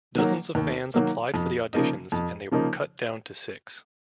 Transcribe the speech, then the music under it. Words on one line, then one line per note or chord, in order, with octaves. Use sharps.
Dozens of fans applied for the auditions and they were cut down to six.
D#3 F#3 A#3
D#2
D#3 F#3 A#3
F2
C#3 F3 A#3 D#4
F2
C#3 F3 A#3 D#4